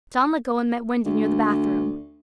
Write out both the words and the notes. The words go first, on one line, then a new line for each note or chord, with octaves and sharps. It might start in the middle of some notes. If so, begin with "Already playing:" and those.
John let go and met Wendy near the bathroom.
D2